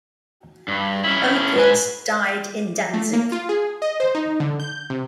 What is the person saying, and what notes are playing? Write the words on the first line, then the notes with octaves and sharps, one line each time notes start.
Opitz died in Danzig.
G2
C#4 E4
G#2 B4 G#5
A3
A#3
F4
G#4
D#5
C5
D#4
D3
G6
C3